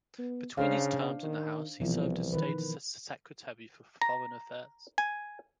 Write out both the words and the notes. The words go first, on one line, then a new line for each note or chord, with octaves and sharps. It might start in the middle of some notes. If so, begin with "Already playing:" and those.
Between his terms in the House he served as State Secretary for Foreign Affairs.
B3
C#3 D4 C5 F5
D#3
C2 B2 E3 F3
D#3 B4
A#5
G#5